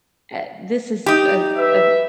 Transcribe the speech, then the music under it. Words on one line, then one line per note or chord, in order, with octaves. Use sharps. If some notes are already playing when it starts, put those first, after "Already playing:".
uh, this is a a
D#4 G4
B4 E5